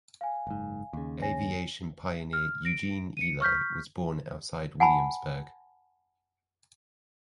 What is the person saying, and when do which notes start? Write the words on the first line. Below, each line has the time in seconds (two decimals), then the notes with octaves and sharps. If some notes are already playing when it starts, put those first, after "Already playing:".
Aviation pioneer Eugene Ely was born outside Williamsburg.
0.21 F5 G#5
0.47 F#1 G#2
0.93 D#2 C#3
1.22 C#5 G#5 A#6
2.33 F6
2.65 A#6 D7
3.17 C#7 D#7
3.41 C#6 F6 G6 B6
4.80 F#5 G#5 A5 B5